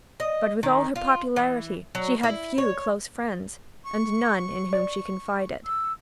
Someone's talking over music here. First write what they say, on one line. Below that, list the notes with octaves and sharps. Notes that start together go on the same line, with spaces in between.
But with all her popularity she had few close friends, and no one in whom she confided.
D#5
D#3
F4
E3
F#3
E4
C#5
C#6
D5
E6